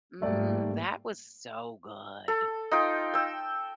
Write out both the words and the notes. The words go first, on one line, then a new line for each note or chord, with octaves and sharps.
"Mm, that was so good."
G#2 G3 A3 A#3 D5
A4
D#4 F4 G5
G5 E6